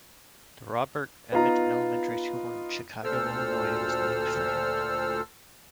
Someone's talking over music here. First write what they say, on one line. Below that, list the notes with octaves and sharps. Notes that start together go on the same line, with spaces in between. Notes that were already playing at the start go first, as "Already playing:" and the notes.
The Robert Emmet Elementary School in Chicago, Illinois was named for him.
B3 D#4 F4 A#5
D2 A#2 A4 C5 E6 F6